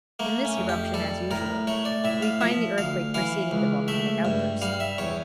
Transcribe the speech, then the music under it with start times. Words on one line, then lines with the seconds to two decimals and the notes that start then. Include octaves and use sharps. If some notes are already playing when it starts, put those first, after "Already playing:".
In this eruption, as usual, we find the earthquake preceding the volcanic outburst.
0.19 A3 A#3
0.45 C#4
0.57 F2
0.69 G4
0.94 G3 A4
1.31 A2 A#4
1.67 A3 C#5
1.85 D5
2.04 A2 E5
2.22 F5
2.41 F3 E5
2.78 D2 F5
3.14 E3 F5
3.51 C#2
3.88 A3 E5
4.25 G2
4.62 G3 F5
4.80 E5
4.98 E2 C#5